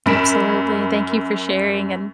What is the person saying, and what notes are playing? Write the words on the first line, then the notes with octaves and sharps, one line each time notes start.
Absolutely, thank you for sharing, and
F#2 A#4 B5 B6 D7 E7